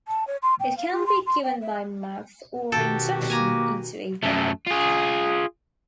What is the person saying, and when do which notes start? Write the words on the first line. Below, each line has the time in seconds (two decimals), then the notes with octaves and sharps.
It can be given by mouth or injection into a vein.
0.08 A5
0.27 C#5
0.43 C6
0.60 G5
0.77 F5
0.92 F4
1.07 C6
1.26 C6
1.43 G5
1.62 E5
2.72 B2 D#3 F#4 G4 A4 G5
3.30 A#3 G#5 A#5
4.23 F#2 A3
4.67 F4 G#4